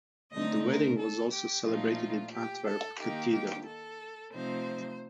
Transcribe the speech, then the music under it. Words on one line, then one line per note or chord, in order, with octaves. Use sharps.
The wedding was also celebrated in Antwerp Cathedral.
D3 A3 C4 D#4 D#5
A#4
A4
G4
A#2 F3 A3 D#4 F4
G4
A4
D#3 A#3 D#4 G4
G4
A4
C3 F3 A3 C4 D#4 C5